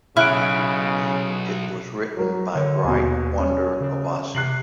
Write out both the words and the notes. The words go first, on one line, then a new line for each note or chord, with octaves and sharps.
It was written by Bright Wonder Obasi.
B1 C#3 E4 F6 F#6 D7
F#3 A#4
D3 C#5
D#2 B2 G#5
C#4
C#3
C3 F#6 C7 F#7